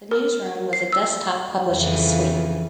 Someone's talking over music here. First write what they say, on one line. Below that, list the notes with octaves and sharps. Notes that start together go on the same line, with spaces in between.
"The Newsroom" was a desktop publishing suite.
A#4
C7
E6
F2 C#3 E3